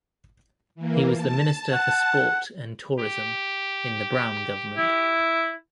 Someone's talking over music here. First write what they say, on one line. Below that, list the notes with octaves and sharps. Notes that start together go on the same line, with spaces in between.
He was the Minister for Sport and Tourism in the Brown Government.
E3 A#3
A5
F#5
G4
E4